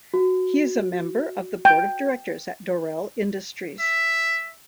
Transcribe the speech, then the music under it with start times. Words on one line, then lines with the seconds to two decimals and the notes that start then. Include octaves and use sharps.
He is a member of the Board of Directors at Dorel Industries.
0.14 F#4
1.65 G5
3.80 E5